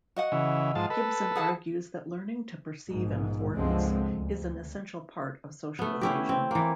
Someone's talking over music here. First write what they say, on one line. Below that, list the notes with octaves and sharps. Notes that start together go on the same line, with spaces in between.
Gibson argues that learning to perceive an affordance is an essential part of socialization.
F#4 D#5 F#5
C#3 E3
G#2 F3 A5
A4 B4
G#4 F#5 A5
A#1 G#2 B2
C#2 G2 D3 F3 G#3 C4
D2
A3 B3
C#4 E4 G4
C4
E3 A#3